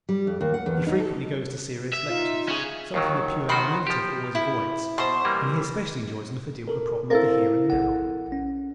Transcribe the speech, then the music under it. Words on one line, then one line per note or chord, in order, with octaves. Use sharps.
He frequently goes to serious lectures--something the pure Alimentive always avoids--and he especially enjoys them if they deal with the problem of the here and now.
G3
F2
D#2
F#5
E2
D#4
A4
E5
D#4 F4
C#4 G#4
D#2 D#3 F#3
D#3 F#4 B5 C6
F3 G4
E4
B2 C5 C6
E3 G3 A#3
A4 A#4
C4 E4 A4 A#4 C5 F5
A#1 F#5
C#4